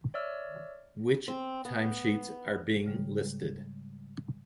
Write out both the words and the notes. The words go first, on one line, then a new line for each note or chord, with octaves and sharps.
Which timesheets are being listed?
C#5 D5 E5 E6 F6
C4
B3
G#2 C#3 G3 G#3